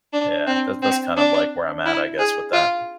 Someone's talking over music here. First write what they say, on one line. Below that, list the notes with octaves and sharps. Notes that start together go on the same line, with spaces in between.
yeah that that's kind of, like, where I'm at I guess with that.
D4
C4
C4
D4
E4
G#4
F4